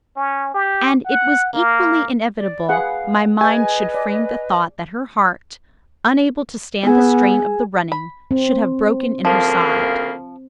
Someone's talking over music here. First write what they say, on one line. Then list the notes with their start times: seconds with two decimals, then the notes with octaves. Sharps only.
And it was equally inevitable my mind should frame the thought that her heart, unable to stand the strain of the running, should have broken in her side.
0.16 C#4
0.54 G4
1.06 F#5
1.53 A#3
2.37 D5
2.69 G#4 B4 F5 F#5
3.41 G#4 B4 D#5 G#5
3.94 D5
6.83 B3 G#4 E6
7.92 B5
8.31 C4
9.25 D2 C#3 F3 A#3